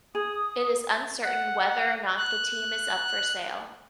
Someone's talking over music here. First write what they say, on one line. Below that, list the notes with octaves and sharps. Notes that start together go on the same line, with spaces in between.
It is uncertain whether or not the team is up for sale.
G#4 D#6
F#5
F#6